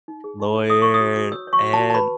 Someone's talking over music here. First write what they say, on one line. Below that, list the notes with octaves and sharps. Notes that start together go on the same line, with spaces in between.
lawyer, and
D#4
G#4
D#4
C#5
C#5 D#6
C#5 C#6
D#6
F#4
F#4
C#5 E6
C#5
C#6
F#4
A5
F#4
A5
B4 B5